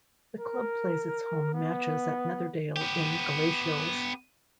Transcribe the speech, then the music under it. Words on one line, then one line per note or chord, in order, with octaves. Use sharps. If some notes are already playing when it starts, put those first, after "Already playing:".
The club plays its home matches at Netherdale in Galashiels.
A#4
B3
B3 G4